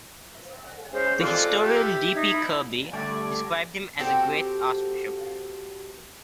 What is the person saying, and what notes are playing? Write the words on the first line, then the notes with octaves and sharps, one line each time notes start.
The historian D. P. Kirby described him as a "great" archbishop.
G#3 C#4 C5
G#3 C4 F4 A4 D5 F#6
G4 E5
D#4 E5 G#6
E4
D3 G3 A3 D5 G#6
C4 F#4 G4 A4